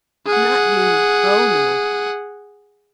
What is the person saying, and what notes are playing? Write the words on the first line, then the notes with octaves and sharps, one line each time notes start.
"Not you--oh no!"
G#4 F#5